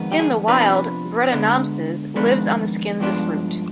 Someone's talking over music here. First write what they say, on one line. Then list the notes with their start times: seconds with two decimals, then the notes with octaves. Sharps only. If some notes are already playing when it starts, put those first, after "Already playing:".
In the wild, "Brettanomyces" lives on the skins of fruit.
Already playing: F2 D#3 G#3 B3
0.12 G4
0.19 G#4
0.48 C3 F3 B3 D4 B4
1.32 D3 G#3 B3 D4
2.16 F2 D#3 G#3 B3 D4
3.00 G2 F3 G#3 B3 D4